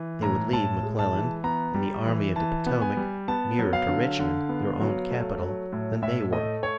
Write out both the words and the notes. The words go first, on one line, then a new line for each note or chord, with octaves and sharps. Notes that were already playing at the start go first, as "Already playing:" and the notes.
They would leave McClellan and the Army of the Potomac nearer to Richmond, their own capital, than they were.
Already playing: E3
A2 A#5
A2 A5
G#3
A5
E3
B3 A#5
G3
E3
E3 A5
B3
G#5
G3
B3 A5
F#3
F5
D3
D3
B3
F#3
A3
F#3
A2
A2 E5
A3 D#5
C#5